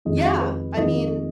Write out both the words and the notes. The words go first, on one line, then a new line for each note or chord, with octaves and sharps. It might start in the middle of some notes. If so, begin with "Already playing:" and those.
Yeah! I mean,
F2 D#3 G#3 D#5
B4
F2 D#3 G#3 D#5